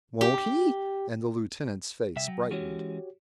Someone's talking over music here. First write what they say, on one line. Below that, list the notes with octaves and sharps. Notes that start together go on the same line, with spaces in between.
"Won't he?" and the lieutenant's face brightened.
G4
C2 E5 G5
F#3
E3 G#3 C#4 F#4 G4 C#5